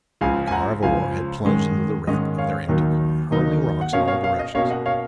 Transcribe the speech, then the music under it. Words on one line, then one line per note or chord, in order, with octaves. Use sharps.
The car of ore had plunged into the wreck of their empty car, hurling rocks in all directions.
C#2 C#3 F3 F5 G#5
G#5
F#5 A#5
C#2 C#3 F3 F5 G#5
G#2 D#3 G#3 C#4
G#2 D#3 G#3 C#4 D#5
C#5 F5
D#2 D#3 F#3 A#3 D#4
D#2 D#3 F#3 A#3 D#4
F#5
B2 A#3 C#4 C#5 F5
C#5 F5
C#5 F5
D#5
B2 A#3 C#4 C#5 F5
D#5 F#5
C#5 F5